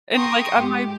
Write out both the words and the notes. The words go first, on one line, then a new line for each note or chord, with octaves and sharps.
and, like, on my
G5 A#5 C6 C#6 D#6
G#2 G4